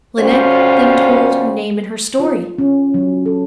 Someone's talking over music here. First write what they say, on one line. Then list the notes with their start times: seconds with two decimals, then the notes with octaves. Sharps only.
Lineik then told her name and her story.
0.19 D2 G3 C#4 F4 F#4 C5
2.20 F4
2.58 C#4
2.94 F#3
3.26 A4